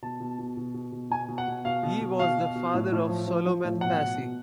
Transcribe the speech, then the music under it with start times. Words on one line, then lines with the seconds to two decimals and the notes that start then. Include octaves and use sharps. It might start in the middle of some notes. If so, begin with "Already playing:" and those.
He was the father of Solomon Passy.
0.02 B2 A5
0.20 B2
0.39 B2
0.57 B2
0.74 B2
0.92 B2
1.10 B2 G#5
1.28 B2
1.38 F#5
1.48 B2
1.65 B2 F5
1.83 B2
2.01 B2
2.19 B2 F5
2.38 B2
2.55 B2
2.74 A2
2.92 A2
3.09 F3
3.28 F3
3.46 F3
3.64 A2
3.81 B2 F#5
4.00 B2
4.18 B2